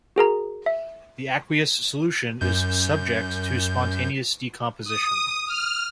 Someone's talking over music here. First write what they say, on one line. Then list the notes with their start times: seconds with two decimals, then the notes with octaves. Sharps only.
The aqueous solution is subject to spontaneous decomposition.
0.16 F#4 G#4 A#4 A#5
0.66 E5
2.41 F#2 G6
4.85 D#6
5.47 F6